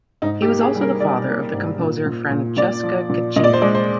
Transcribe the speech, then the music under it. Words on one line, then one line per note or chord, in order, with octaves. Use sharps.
He was also the father of the composer Francesca Caccini.
G#2 D#4
G4
A#3
G#4
G3
A#4
G3 D5
A#3
G#2
A#2
A#2
A#2
A#2 D5
F3
A#2
A#2 D#5
D5
C5
G#3 D5
C5